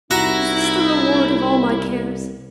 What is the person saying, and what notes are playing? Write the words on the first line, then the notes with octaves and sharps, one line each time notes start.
Is this the reward of all my cares?
C2 D#4 E4 F#4 A#5